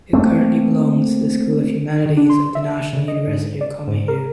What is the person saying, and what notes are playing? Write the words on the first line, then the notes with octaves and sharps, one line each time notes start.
It currently belongs to the School of Humanities of the National University of Comahue.
A3 A#3 C4
D#3
D4
C6
E5
C#3
D#5
G#2
D5
G#2
A#4